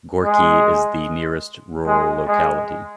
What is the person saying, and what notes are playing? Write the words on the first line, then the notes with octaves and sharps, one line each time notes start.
Gorki is the nearest rural locality.
G#3
G#3
G#3